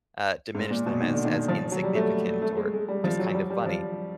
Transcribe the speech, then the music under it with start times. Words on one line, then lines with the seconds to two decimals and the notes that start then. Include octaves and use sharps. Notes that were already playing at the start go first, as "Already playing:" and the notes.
uh, diminish them as as insignificant or just kind of funny.
0.55 G#2
0.71 A#2
0.86 B2
1.02 D#3
1.14 D3
1.25 D#3
1.48 F3
1.72 F#3
1.83 G3
1.95 A3
2.42 A3
2.57 G#3
2.73 G#3
2.88 G3
3.04 F3
3.19 F#3
3.34 G3
3.50 G3
3.66 F3